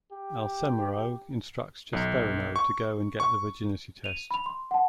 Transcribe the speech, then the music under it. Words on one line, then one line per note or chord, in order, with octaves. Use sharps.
Alsemero instructs Jasperino to go and get the virginity test.
G4
B1
C#6
C#6
D#7 F7
B5 F7
C6
F#5 A5